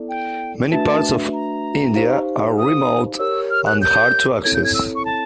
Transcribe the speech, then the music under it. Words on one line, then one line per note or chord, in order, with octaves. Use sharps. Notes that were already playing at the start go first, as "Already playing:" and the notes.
Many parts of India are remote and hard to access.
Already playing: B3 E4 A4 D5
G5
A3 D4 F#4 B4 E5 A5
A#5
D#4 G4 C5 F5
D#6
G4 A#4 C#5 E6
F6
F#6
G6
C4 E4 A4 C#5 G#6
G6
G#6
E6
C#6
A5